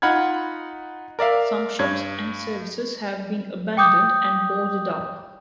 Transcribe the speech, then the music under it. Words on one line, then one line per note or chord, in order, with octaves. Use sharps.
Some shops and services have been abandoned and boarded up.
D#4 F4 F#5 B5 F6 G#6
A#4 D5 E5 F5
G2 G#6
G5 D6 D#6 G6